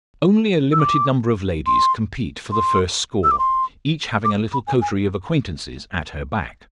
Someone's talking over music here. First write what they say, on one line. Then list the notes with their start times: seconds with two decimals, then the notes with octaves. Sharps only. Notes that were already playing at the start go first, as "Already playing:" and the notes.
Only a limited number of ladies compete for the first score, each having a little coterie of acquaintances at her back.
0.72 E6
0.80 D6
1.66 C6
2.52 C6
3.24 E6
3.31 D6
3.39 C6
4.25 D6
4.53 B5
4.67 G#5
4.82 G#5